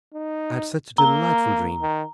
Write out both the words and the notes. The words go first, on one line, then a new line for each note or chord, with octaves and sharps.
I had such a delightful dream.
D#4
A#3 A#5
D#3